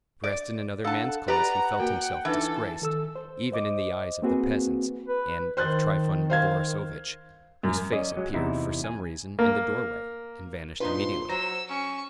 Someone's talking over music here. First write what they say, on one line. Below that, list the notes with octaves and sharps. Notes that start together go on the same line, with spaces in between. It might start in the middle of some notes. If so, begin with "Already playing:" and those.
Dressed in another man's clothes he felt himself disgraced, even in the eyes of the peasants, and of Trifon Borissovitch, whose face appeared, for some reason, in the doorway, and vanished immediately.
D5
D4 A4 F5 F#5 A5
G4 B4 D5 F#5 A#5
A#3 F#4 A#4 G5
E3 D4 D#4 A4 B4
D#3 A4 E6
C5
C5 D#5 D6
A#3 C4 F#4 G#4 B4
B4
D#3 C5 F#6 A6
C5 F5 G#6
F#2
C#4 D5 D#5
F#3 G#3
E2 C3 D#4 E4
G#5
A#3
A#2 D4 D#4 F4 B4 C5 C6
F#3 C5 A#5 E6 A#6
C#4 C#6